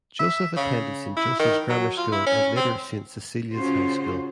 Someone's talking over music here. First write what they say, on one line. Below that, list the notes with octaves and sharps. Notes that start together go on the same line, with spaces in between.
Joseph attended Saint Joseph's Grammar School and later Saint Cecilia's High School.
E5
C#3
E4
D#3
F#3
F4
E4
C#4
C4
C#3 C#4 F4 F#4 C5